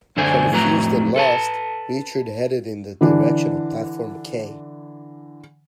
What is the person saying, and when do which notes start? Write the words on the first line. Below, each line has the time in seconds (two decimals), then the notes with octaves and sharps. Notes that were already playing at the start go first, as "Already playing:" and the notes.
Confused and lost, Richard headed in the direction of platform K.
0.17 F#2 D3 D4 A4 C5 G#5
0.51 F2 A2 F#3 B4 A#5
1.16 A4 B4 A5
3.01 D3 E3 D4